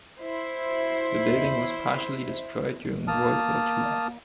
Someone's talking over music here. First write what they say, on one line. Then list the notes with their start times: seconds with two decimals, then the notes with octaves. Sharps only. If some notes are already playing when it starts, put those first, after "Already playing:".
The building was partially destroyed during World War ll.
0.21 E4 C5
3.08 A#3 A5 D#6 F6